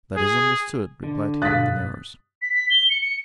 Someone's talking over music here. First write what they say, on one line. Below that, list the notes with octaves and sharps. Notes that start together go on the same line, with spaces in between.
"That is understood," replied he of the Mirrors.
G#4
D3
G2 B2 F5 D#6 F#6 A6 B6
B6
B6
G7
C#7
C#7